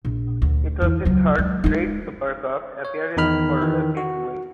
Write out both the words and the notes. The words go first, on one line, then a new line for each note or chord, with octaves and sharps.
It was the third straight Supercup appearance for Rapid Wien.
A#1
D2
E2 D#3
C#2 F#3
G#3
G#3 D#4
C#5
E2 D#3 D#4 B5 F6
D#3 E3
F#4